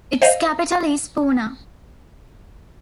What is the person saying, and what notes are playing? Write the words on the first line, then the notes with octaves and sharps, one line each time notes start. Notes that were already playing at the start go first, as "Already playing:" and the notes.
Its capital is Puna.
C5 D#5 F5